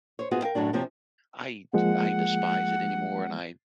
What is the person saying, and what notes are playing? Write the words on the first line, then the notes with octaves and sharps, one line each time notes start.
I t I despise it anymore, and I
C5 C#5
G#2 B3 F4 F#4 G#4
A#4 F5 G5
F#2 A2 F#3 D4
F#2 C3 F3 C4 C#4
F3 G#3 A#3 F#5